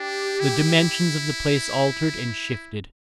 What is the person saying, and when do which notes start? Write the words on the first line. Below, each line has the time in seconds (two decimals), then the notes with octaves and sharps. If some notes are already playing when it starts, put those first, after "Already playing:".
The dimensions of the place altered and shifted.
Already playing: D4 G4
0.40 E4